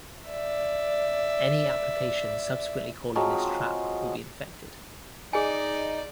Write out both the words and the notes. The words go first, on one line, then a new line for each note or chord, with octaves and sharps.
Any application subsequently calling this trap will be infected.
D5 E5
F3 F#3 G#3 C4
D#4 G#4 D5 G#5